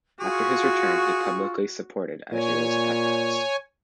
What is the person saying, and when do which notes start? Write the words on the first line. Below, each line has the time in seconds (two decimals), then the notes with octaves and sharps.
After his return, he publicly supported Itera's efforts.
0.20 F4 F#4 G#4 C#6
2.32 A#2 C#5 G#5